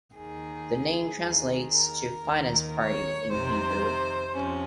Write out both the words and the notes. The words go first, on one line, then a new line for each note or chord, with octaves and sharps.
The name translates to "Finance Party" in Hebrew.
D#2 D#3 G#4
D#2 D#3
A#4
D#2 D#3
C#5
F2 C3 D#3 C5
F2 C3 F3 C#4